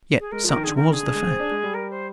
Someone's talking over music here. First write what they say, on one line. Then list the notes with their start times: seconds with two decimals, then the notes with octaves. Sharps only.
Yet such was the fact.
0.20 G#4
0.32 G#3 A#4
0.44 F3 A#4
0.55 D#3
0.64 D3 G#4
0.76 D#3 A#4
0.89 A#4
0.91 D3 G#4
1.03 D3
1.15 G#3
1.27 C4
1.40 D4
1.51 G#3
1.63 G3
1.74 A#4
1.91 C5